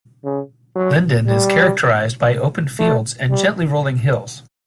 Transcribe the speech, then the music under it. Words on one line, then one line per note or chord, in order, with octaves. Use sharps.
Linden is characterized by open fields and gently rolling hills.
C#3
F#3
G3
A3
G3